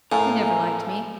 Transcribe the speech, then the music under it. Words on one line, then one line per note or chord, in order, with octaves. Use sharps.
He never liked me.
A2 A3 A#4 F5 G#5